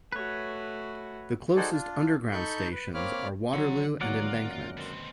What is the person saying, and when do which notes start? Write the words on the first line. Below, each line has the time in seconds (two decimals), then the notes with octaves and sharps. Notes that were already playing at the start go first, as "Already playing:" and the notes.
The closest Underground stations are Waterloo and Embankment.
0.12 A3 F#4 B4 C#5
1.56 D#4 F#4 G#4 A4 C5 D5
1.70 D4 F4
2.32 D#4 A4 B5 C#6 G6
2.72 B4
2.94 A#3 C4 C#5 B5 D6 F6
3.53 D3 D#3 F#3 F#5 C6
4.01 F#3 G#3 A#3 B3 F4 A#4 D5 F#5
4.42 F#2
4.77 B2 C4